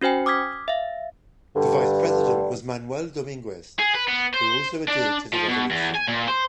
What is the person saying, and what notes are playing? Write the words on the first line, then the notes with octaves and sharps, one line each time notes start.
The Vice-President was Manuel Dominguez, who also adhered to the revolution.
C#4 F#4 C5 G5 G#5
D6 D#6 F6 G#6 B6
E5 F5
G2 D3
G#4
B4
B3
C5
D4
F3
B2
E2
G#5
A#2
C5